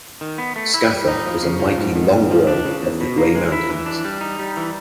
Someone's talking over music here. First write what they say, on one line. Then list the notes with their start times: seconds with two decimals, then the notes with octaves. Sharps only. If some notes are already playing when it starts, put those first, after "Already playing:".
Scatha was a mighty "long-worm" of the Grey Mountains.
0.21 D#3
0.38 B3
0.56 A3
0.74 E4
0.91 G3
1.08 D#4
1.26 F3
1.42 C#3
1.60 F3
1.77 G#2
1.95 D#3
2.12 G#2
2.31 F3
2.47 D4
2.65 C#3
2.82 E2
3.00 B2
3.18 A#3
3.35 G#3
3.52 E4
3.70 E3
3.86 D4
4.05 G3
4.21 D#4
4.39 G3
4.57 E3